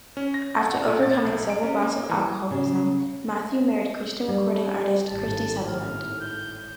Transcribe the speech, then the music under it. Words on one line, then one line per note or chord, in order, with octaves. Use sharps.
After overcoming several bouts of alcoholism, Matthew married Christian recording artist Christy Sutherland.
C#4
A#6
F#5
F#5
A#2
A6
B1
D7
C#4
A#3
E3
C#3
G3
G#1 A2 A5
F6
G6